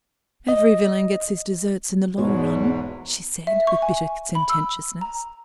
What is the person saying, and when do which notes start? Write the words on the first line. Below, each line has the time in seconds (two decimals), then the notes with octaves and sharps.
"Every villain gets his deserts in the long run," she said, with bitter sententiousness.
0.49 D#5
2.18 E2 G#2 B2 B3 F#4 C#5
3.47 E5
3.67 C#6
3.82 G#5
4.35 B5
4.49 E6
5.01 A#5